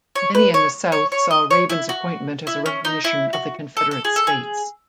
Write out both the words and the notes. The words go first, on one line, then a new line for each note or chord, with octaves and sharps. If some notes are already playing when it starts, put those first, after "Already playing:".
Many in the south saw Raven's appointment as a recognition of the Confederate States.
C#5
B4
C#5
C#5
C#5
D#5
C#5
E4
F#4
E4
C#4
D#4
E4
F#4
A4
A4
G#4
A4
G#4